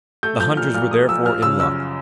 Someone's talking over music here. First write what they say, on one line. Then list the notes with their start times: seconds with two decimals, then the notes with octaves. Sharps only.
The hunters were therefore in luck.
0.23 A3 G6
0.40 F3 G6
0.57 A#2 F6
0.75 A#2 F6
0.91 A3 D#6
1.08 F3 E6
1.25 F3 F6
1.42 C#3 E6
1.60 F#2 E6